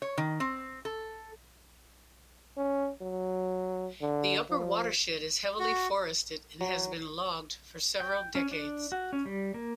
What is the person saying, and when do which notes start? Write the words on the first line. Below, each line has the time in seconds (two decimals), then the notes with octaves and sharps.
The upper watershed is heavily forested and has been logged for several decades.
0.02 C#5
0.18 D#3
0.40 C4
0.85 A4
2.57 C#4
3.02 F#3
4.01 D3
4.50 F3
5.59 F#4
6.61 F#3
8.00 G5
8.35 C#4
8.51 D4
8.92 F#4
9.13 C#4
9.26 G3
9.54 A#3